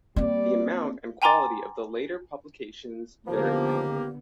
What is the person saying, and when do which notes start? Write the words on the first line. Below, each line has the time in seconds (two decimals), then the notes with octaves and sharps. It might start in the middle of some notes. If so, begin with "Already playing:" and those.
The amount and quality of the later publications varied.
0.16 G3 A#3 C4 D5
1.22 G5 G#5 A#5 C6 D6 A6
3.28 C#2 D3 D#3 F3 A#3 B3 G4